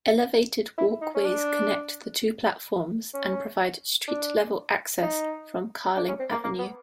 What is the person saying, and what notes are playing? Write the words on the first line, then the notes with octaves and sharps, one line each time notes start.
Elevated walkways connect the two platforms and provide street level access from Carling Avenue.
E4
D#4
C#4
D4
C#4
D4
D#4
D4
C#4
C4
A#3
A#3
B3